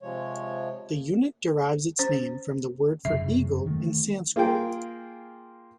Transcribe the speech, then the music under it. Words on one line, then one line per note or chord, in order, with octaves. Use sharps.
The unit derives its name from the word for eagle in Sanskrit.
C3 F3 G#3 C#5
C#4 C5
F1 F#2 C#3 E5
D#3 A3
A#3 F4 G#4 A#4 G5